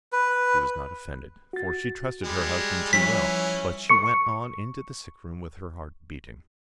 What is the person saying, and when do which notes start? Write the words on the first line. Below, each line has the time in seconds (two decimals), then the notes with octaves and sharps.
She was not offended, for she trusted her husband too well; but she went on into the sick-room with her heart beating.
0.12 B4
1.53 F#4 A6
2.24 G3 G#3
2.93 E3 F3 G3 C#4 B6
3.89 C#6 C#7